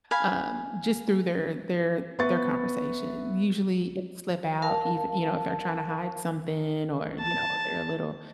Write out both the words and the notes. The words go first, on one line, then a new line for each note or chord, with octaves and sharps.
um, just through their their their conversation. Usually, it'd slip out, ev you know, if they're trying to hide something or, you know, they're a little
F5 G#5 B5
B3 B4 E5 C#6 A6
A#4 F5 A5
A5